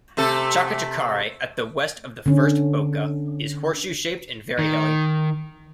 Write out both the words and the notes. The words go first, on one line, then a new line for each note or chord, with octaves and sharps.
Chacachacare, at the west of the first Boca, is horseshoe shaped and very hilly.
C3 A3 A4
D3 C#4
D#3